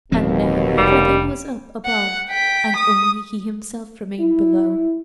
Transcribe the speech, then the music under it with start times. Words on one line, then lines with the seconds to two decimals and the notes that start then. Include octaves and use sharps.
And now everything was up above and only he himself remained below.
0.12 D1 D#2 B2 F3 C4
0.78 F1 G3
1.85 F#5
2.29 G5 B6
2.76 D#6
4.20 E4